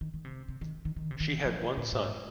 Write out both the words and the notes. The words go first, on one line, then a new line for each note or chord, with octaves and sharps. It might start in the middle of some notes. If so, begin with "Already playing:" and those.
She had one son.
D#3
D#3
C3
C3
D#3
D#3
D#3
C3
D#3
F3
D#3
A#2
G#2